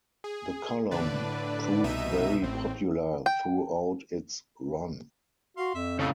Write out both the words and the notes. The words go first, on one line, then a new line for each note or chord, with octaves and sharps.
The column proved very popular throughout its run.
G#4
A2 D3 D4 B4 D5
C2 B2 D#4 E5 D#7
A1 A2 C4
G5
F#4 F5 C6
F2 E5
A2 C#3 A3 D#4 E6